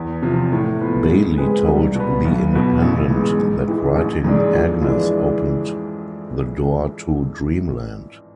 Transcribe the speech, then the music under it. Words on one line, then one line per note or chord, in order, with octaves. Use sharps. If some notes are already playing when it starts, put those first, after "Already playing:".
Bayley told "The Independent" that writing "Agnes" "opened the door" to "Dreamland".
Already playing: E2
C3 F3
A2
F3 B3
G#2
G#3 C4 G#4 B4
C2
B2 B3
B1
B2 B3
A1
G#2 G#3 B3
G#2
E3 G#3
A1
G#2 G#3 D4
F2
E3 G#3 D4